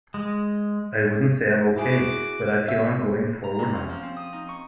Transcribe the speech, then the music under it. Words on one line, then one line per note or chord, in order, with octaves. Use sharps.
I wouldn't say I'm okay but I feel I'm going forward now.
G#3
E4 F#4 G#4 D6
E5
A#5
C3
C#4
F3
C4
D#6
D#4
C#6